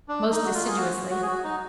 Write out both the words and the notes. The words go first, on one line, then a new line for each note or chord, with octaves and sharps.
Most deciduously.
D4
D#4
F#4
F4
G#4
F#4
F#4
G#4
F#4
D#4